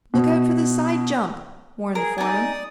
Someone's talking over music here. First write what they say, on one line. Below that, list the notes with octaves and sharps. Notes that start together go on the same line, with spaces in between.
"Look out for the side jump!" warned the foreman.
B2
G#4 A#4
D#4 D5 G#5 D#6